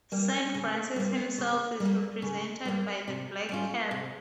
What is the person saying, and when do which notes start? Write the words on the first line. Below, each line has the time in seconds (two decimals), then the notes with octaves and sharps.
Saint Francis himself is represented by the blackcap.
0.12 G3 A#3
0.55 C#3
0.96 G3 A#3
1.38 C#3
1.80 G3
1.85 A#3
2.22 C#3
2.65 G3 A#3
3.08 C3
3.49 G3 C#4 F4
3.91 C3